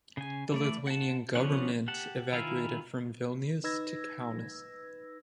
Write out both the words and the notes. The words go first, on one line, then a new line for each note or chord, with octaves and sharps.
The Lithuanian government evacuated from Vilnius to Kaunas.
C#3 G#5
E3 A3 D5
F#5 A5
F3 B3 C#4 D4 F#5
G4 F#5 A5
D#3 E4 F4 F5 G#5
D#4 B4 E6 G#6 A#6